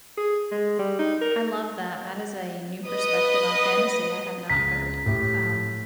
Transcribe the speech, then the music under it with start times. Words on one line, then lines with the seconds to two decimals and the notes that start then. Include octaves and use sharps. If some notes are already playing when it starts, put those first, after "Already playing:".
I love that, that is a new perspective on fantasy I have not heard, um.
0.18 G#4
0.51 G#3
0.79 G3
0.99 D#4
1.21 A#4
2.87 B4 D#5 D#6
4.50 C#2 A#5 B6
5.06 A2 G4